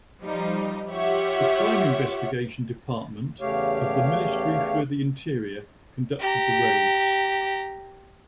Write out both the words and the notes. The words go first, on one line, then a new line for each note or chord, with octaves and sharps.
The Crime Investigation Department of the Ministry for the Interior conducted the raids.
F3 G3 D#4
F4 G4 C#5 E5 F#5
E2 C#3 A3 G4 C#5 F5
G4 A#5